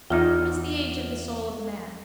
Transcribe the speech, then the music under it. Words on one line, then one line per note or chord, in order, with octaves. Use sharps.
What is the age of the soul of man?
E2 D#4 F4 F6